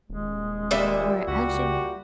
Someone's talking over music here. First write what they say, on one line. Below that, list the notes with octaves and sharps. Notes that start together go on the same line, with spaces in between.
or actually
D#1 G#3
A#2 G3 E5
C#2 F#4 G4